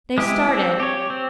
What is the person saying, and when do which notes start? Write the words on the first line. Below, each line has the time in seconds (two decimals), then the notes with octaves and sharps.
They started.
0.18 G#3 E4 G4
0.49 C4
0.80 G4 C#5
1.10 C4